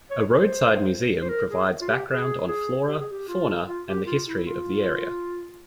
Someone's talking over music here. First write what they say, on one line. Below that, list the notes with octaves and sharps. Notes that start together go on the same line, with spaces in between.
A roadside museum provides background on flora, fauna, and the history of the area.
C#5
C5
C5
A#4
G#4
F4
G4
G#4
G#4
G4
G#4
G4
F4
F4
G4
F4
E4
F4